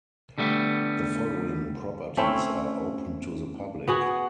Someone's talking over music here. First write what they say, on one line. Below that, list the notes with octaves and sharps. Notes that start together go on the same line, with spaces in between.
The following properties are open to the public.
D3 G3 A3 B3
A3 C4 C#4 E4
B3 F#4 G#4